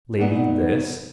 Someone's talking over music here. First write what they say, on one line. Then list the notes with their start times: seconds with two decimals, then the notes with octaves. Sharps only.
Lady this.
0.19 E2 G2 B3 D#4 B4